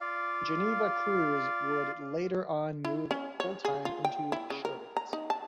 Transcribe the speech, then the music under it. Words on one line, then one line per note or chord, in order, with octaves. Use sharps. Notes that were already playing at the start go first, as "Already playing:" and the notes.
Geneva Cruz would later on move full-time into showbiz.
F4 D5 F5
E4
C#4
C#5
G#4
F4
G5
E4
C#3
A#4
A#5
D#4
A5